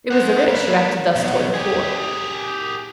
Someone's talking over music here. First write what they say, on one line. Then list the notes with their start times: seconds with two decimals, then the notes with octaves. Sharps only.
It was the rich who acted thus towards the poor.
0.11 C5 F#5
0.48 A#3 B4
1.16 B2 F#3
1.54 G4 G#4